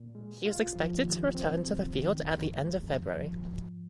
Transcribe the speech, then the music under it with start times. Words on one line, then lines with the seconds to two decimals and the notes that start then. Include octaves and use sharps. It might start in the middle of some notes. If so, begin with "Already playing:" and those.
He was expected to return to the field at the end of February.
Already playing: A#2
0.15 G#3
0.46 F4
0.75 F3
1.05 D#2
1.35 C4
1.66 D#2
1.96 D#3
2.25 F2
2.55 G#3
2.84 F2
3.15 F3
3.45 G#2